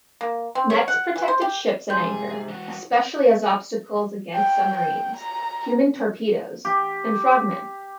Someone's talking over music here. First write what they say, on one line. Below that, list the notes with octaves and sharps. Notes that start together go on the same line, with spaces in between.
Nets protected ships at anchor, especially as obstacles against submarines, human torpedoes, and frogmen.
A#3
C4
C#5
F#5
E3
C5
G4
G#2 C3 G#4 C6 G6
E3 F#4
G5
G5
A#5
G4